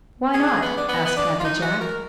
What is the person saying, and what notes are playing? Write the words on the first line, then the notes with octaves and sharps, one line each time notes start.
"Why not?" asked Happy Jack.
G#4
B3
D4
B3
B3
D4
F4
D#4
F#4
A#4